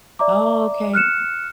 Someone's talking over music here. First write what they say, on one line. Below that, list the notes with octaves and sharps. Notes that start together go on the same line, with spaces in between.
Oh, okay.
D5 E5 A#5 D6
F6 F#6 C#7 E7